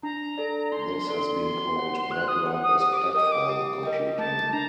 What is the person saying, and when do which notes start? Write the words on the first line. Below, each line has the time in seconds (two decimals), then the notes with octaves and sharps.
This has been called "network as platform" computing.
0.03 D4 A#5
0.38 A4 D5
0.72 D4 C6
1.07 A4 D5
1.41 F#4 C6
1.76 C5 F#5
2.11 F#4 F#6
2.28 D#6
2.46 C5 F#5
2.62 D#6
2.80 G4 D#6
2.93 D6
2.98 D#6
3.14 A#4 D#5 G5 D#6
3.32 D6
3.49 G4
3.83 A#4 D#5 G5
4.18 A3 A5
4.53 D4 A#5